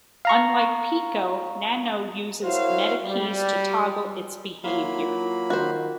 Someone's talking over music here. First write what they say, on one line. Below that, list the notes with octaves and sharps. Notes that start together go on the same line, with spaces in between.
Unlike Pico, nano uses meta keys to toggle its behavior.
F5 A#5 C#6
E4 F#4 A#4 C5 C#5 F5
G3
F#3 A#3 E4 F4 F5 B5
D#3 F#4 C5